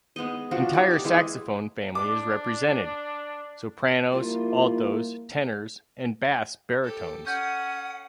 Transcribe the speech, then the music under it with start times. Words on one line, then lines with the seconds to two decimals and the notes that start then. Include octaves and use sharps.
Entire saxophone family is represented: sopranos, altos, tenors and bass baritones.
0.16 G#3 B3 D#4 D#5
0.51 F3 D4 F#4
0.74 D#4 G4 D5
0.91 A5 D6
1.04 E3 G#3 E4
1.95 D4 D6
4.12 F3 G3 A#3 E4 F4
6.83 G4 A4
7.27 C#4 F#5 D#6 G6